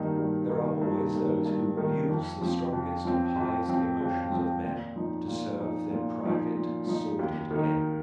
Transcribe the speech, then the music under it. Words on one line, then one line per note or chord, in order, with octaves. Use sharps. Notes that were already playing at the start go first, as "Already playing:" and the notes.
There are always those who will use the strongest and highest emotions of men to serve their private, sordid ends.
Already playing: G2 D#3 A#3 D#4
G2
D#3 A#3 D#4
G2
D#3 A#3 D#4
G2
D#3 A#3 D#4
F2
F3 C4
F2
F3 C4
F2
F3 C4
F2
F3 C4
A#2
F3 D#4
A#2
F3 D#4
A#2
F3 D#4
A#2
F3 D#4
D#2
D#3 A#3 D#4